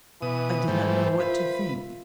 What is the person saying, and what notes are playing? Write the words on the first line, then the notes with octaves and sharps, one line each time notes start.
I did not know what to think.
B2 E3 B4 D#6
G#2 G3 A3 C5
F4 A#4 B4 E5